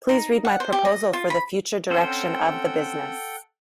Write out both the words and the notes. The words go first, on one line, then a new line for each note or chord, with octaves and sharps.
Please read my proposal for the future direction of the business.
D#4
F#5
C5
G4
D#5
F4
B5
C4 C#4 A4 C5 F#5 G5